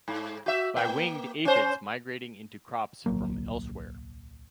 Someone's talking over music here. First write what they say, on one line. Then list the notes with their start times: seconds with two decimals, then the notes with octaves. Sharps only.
By winged aphids migrating into crops from elsewhere.
0.08 G#2
0.46 F#4 E5
0.76 A#3
1.45 C#4 C5
3.06 D1 B1 F#3 A#3